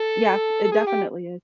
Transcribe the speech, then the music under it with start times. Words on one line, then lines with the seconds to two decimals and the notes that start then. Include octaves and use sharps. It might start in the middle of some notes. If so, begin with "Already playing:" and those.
Yeah. It definitely is.
Already playing: A4
0.64 A4
0.72 G#4
0.87 G4